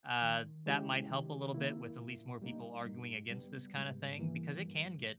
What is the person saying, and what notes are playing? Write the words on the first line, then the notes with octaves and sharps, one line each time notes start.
uh, that might help a little bit with at least more people arguing against this kinda thing, because it can get,
D#3
G#3 C#4 E4 G4
D#3
A#3 E4
A#2
G3 A#3 D#4
G2
G3 B3
G#2
E3 G3 A#3
G2